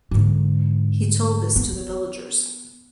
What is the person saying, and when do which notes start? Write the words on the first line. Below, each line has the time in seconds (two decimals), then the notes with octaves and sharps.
He told this to the villagers.
0.11 G#2 D3
1.56 B3